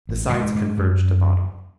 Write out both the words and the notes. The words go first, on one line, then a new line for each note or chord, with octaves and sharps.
The sides converged to bottom.
A1
G#2
G#2
F#2